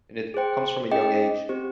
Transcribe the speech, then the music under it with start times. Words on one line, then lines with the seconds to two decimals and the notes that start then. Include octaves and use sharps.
and it comes from a young age-
0.34 G#4 C5 G5
0.91 C#4 G#4 D#5 G5
1.49 C4 G4 C5